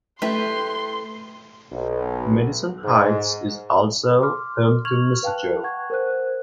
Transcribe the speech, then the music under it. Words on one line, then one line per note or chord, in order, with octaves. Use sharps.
Madison Heights is also home to Moosejaw.
A3 E4 G4 B4 C6
B1
G#2
C6 D6 F6
C#6 F6 G#6 F7 F#7
B4 F5 G5 A5 F#6
F#5 C#6 G#6
A#4 C5 F#6